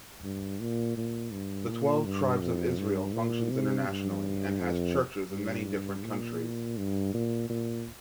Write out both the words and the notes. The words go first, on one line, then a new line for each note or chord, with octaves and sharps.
The Twelve Tribes of Israel functions internationally and has "churches" in many different countries.
G2
A#2
A#2
G2
A#2
G2
F2
G2
A#2
C3
G2
F2
G2
A#2
G2
A#2
A#2